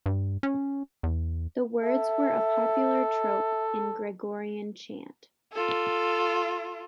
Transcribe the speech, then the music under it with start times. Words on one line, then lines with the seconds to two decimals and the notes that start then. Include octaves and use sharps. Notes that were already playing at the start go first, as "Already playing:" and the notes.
The words were a popular trope in Gregorian chant.
0.06 G2
0.43 C#4
1.03 E2
1.82 A4 E5
5.53 F4 A4